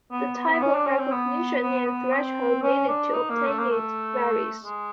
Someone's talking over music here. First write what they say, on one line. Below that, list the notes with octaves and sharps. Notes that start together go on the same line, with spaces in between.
The type of recognition and threshold needed to obtain it varies.
B3
B3
C4
B3
C#4
D4
C#4
C4
B3
B3
B3
C4
C#4
D4
D#4
A#3
A3
A#3
A3
G#3